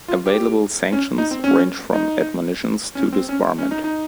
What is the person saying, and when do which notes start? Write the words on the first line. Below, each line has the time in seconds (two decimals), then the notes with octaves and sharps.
Available sanctions range from admonitions to disbarment.
0.08 F4
0.26 G4
0.92 C#4
1.18 D#4
1.31 C4
1.44 C#4
1.94 D#4
2.95 C#4
3.13 C4
3.29 C#4
3.58 C#4
3.71 D#4
3.84 D#4